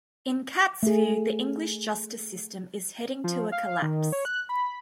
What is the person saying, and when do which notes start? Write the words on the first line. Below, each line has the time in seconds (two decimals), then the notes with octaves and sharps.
In Catt's view the English justice system is heading to a collapse.
0.83 A3 G#4
3.24 F3
3.52 F5
3.82 D#3
4.12 C#5
4.25 F#6
4.49 B5